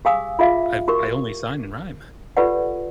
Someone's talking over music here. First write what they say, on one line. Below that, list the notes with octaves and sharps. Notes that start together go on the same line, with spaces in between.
I've I only sign and rhyme.
G4 G#4 F5 G#5 D#6 E6
F4 G#4 E5 F5
F#4 G4 A#4 C#6
F4 G4 A4 B4 D5 F#5